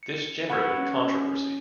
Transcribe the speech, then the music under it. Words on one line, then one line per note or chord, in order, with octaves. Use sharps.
This generated controversy.
C#7
B4 F#5 B5 C#6 E6 G#6
C#4